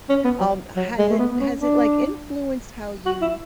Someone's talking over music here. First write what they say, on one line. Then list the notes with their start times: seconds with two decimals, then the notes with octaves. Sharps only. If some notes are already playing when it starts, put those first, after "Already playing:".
Um, has it has it, like, influenced how you
0.09 C#4
0.25 B3
0.40 F#3
0.76 F#3
0.98 G#3
1.09 A3
1.19 B3
1.31 B3
1.40 C#4
1.61 D4
3.06 F#4
3.22 E4